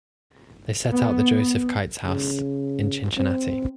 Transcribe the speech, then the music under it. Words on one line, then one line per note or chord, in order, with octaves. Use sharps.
They set out for Joseph Kite's house in Cincinnati.
B3
C#3
C4